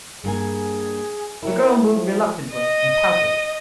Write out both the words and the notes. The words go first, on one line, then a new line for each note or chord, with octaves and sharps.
The girl moved reluctantly, and pouted.
G2 A#3 G#4 G#5
E4 G4 A#4 C#5
F3
D#5